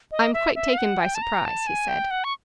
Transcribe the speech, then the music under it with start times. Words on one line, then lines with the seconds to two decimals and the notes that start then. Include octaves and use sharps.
"I'm quite taken by surprise," he said.
0.12 D#5
0.34 E5
0.55 E5
0.73 F5
0.78 F#5
1.00 G5
1.15 A5
1.22 A#5
1.45 A5
1.67 G#5
1.88 G5
2.11 F#5
2.24 C#6